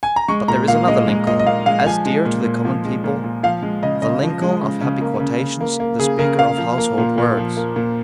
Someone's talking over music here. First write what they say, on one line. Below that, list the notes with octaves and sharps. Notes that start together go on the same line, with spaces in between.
But there is another Lincoln as dear to the common people--the Lincoln of happy quotations, the speaker of household words.
G#5
A#5
G#3 C#6
A#2 A#5
A#2 F5
G#3 D#5
G#3
A#2 D#5
D#5
A#2 F5
G#3 F5
F5
F3 G#5
G#3
A#2
A#2
F3
G#3
A#2
A#2
F3 F5
G#3
C#3 D#5
C#3 D#5
F3
G#3
C#3
C#3
A#3
C#3
C#3
A#3
A#3
C#3 G#4
C#3 A#4
A#3 F5
F3
A#3
A#2
A#2
F3
A#3
A#2